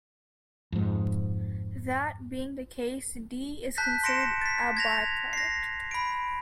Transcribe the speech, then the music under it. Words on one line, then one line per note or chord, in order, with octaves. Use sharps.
That being the case, D is considered a byproduct.
F2 G#2
A5 F#6 G6 B6
C6 A#6 C#7 D7 E7
A6 B6
G#6 A#6 F7
A#6 C7
B5 D7